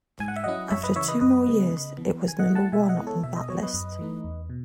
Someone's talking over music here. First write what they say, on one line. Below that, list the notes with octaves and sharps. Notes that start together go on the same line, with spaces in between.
After two more years, it was number one on that list.
G#2 G#5
F#5
E5
F#3 C#4 E4 D#5 F#5
F#2 C#5 E5
B4 D#5
C#3 E3 C#5 E5
B4 D#5
F#2 B4 D#5
C#3 G#3 B3
C#3
E3 B3
D#3
G#5
D#5 F#5
A3 E4
F#5 A5
B2 E5 G#5
D#5 F#5
G#3 B3 E4
A4 C#5
B2 E5
D#5
F#3 B3 C#5
B4 D#5
F#2
E3 A3 D#4
E2
B2